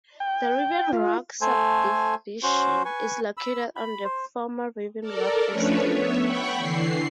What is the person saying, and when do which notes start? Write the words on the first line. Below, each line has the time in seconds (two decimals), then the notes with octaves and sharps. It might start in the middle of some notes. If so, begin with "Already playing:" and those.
The Riven Rock subdivision is located on the former Riven Rock Estate.
0.20 G5
0.93 F4
1.41 A3 A4 C5 G#5
2.43 C#4 F#4 C5
2.85 B4 G#5 C#6
3.37 B5 E6
3.76 B5
4.04 C5
5.01 A4 A#4 D5
5.47 F3 A3 C#4 D4 B4 C#5
5.87 B3 C#5 E5
6.22 F#5 G5 B5 C#6 F#6
6.56 D3 E3 C7